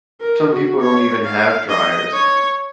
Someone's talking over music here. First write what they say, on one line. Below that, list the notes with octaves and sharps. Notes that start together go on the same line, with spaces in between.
some people don't even have dryers.
A#4
F#4
C#5
F5
D#5
C#5